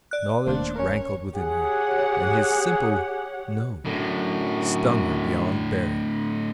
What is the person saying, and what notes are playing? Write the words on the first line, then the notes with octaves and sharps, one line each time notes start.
The knowledge rankled within her, and his simple "no" stung her beyond bearing.
D5 F#6
D#1 D#3 A3 A#3 D4 C5 F5
C#4 A#4 C#5
G4 G#4 C#5 F#5
F#2 A2 D3